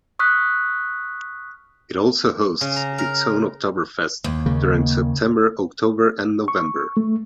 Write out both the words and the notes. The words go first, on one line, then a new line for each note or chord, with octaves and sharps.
It also hosts its own Oktoberfest during September, October and November.
C#6 D#6 F6 F#6 B6
C#3
A#5
A#4
D#2
C#3 A#3
C#6
A3